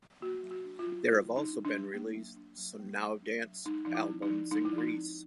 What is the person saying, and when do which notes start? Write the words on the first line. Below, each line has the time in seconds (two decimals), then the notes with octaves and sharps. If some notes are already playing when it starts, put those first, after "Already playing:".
There have also been released some "Now Dance" albums in Greece.
0.22 A#3 F#4
0.43 F#3
0.51 F#4
0.65 D4
0.79 F4
0.86 F#3
1.07 A#3 E4
1.29 F#3
1.36 D#4
1.51 D4
1.65 D4
1.72 F#3
1.94 A#3
2.15 F#3
2.36 D4
2.58 F#3
2.80 A#3
3.01 F#3
3.23 D4
3.44 F#3
3.65 G#3 D#4
3.85 F3 D#4
3.95 E4
4.09 C4
4.22 D#4
4.30 F3
4.51 G#3 D#4
4.65 E4
4.73 F3
4.78 D#4
4.94 C4